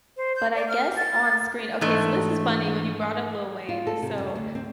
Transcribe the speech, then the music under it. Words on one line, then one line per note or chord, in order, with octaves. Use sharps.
but I guess on screen okay, so this is funny when you brought up Lil Wayne. So
C5
G6
D5
F6
A6
G#2 E3 A3 D4
F4
A4
C3
F#2
D2
C4